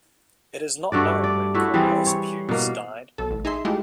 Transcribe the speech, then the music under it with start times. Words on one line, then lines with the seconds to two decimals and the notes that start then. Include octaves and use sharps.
It is not known when Cornelis Buys died.
0.92 G2 A3 F#4 D5
1.24 D5
1.55 A3 E4 F#4
1.74 E3 G3 C4 G#4
2.06 C#5
2.49 B2 A#3
3.18 B1 A4
3.31 A1
3.45 D#4 G#4 E5 C6
3.65 G#3 A3 E4 F4 G4